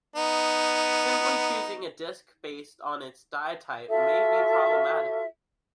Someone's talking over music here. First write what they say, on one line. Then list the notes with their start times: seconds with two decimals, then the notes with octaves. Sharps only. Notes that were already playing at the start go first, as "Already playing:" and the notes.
Simply choosing a disc based on its dye type may be problematic.
0.16 B3 D#4
3.88 F4 F#4 A4 E5